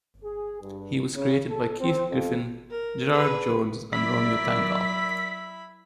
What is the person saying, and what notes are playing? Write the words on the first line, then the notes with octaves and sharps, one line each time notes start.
He was created by Keith Giffen, Gerard Jones, and Romeo Tanghal.
G#4
G2
C#3
A4
C4
F2
A#4
G#4 B4
F#3 E4 A#4 D5 B5 E6 B6